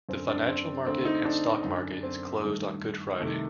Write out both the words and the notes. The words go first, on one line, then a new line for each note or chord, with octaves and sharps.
The financial market and stock market is closed on Good Friday.
F#2 D3 C4
D4
C4
D2 D3 C4
D#4
D4
F#2 D3
C4
G2 D#3 A3
C2 C3 D#3 A3